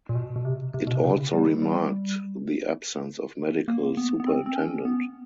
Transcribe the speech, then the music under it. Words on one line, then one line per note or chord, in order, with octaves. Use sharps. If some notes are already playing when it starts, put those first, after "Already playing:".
It also remarked the absence of medical superintendent.
A#2
B2
B2
C3
C3
B2
C3
C#3
G3
G3
A#3
B3
B3
C4
C4
C#4
B3